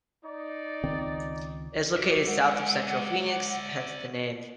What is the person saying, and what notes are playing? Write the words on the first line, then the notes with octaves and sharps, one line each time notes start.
It is located south of central Phoenix, hence the name.
D#4 D5
C#2 D#3 C4
F#4 D5 E5
G#3 F#5